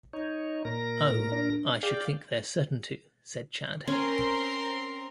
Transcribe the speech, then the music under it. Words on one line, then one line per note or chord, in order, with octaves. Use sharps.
"Oh, I should think they're certain to," said Chad.
D#4 C#5
A#2 A#4 A#6
A2
D4
G#4 D5 F5 G5
C4 C#4 A#4 C6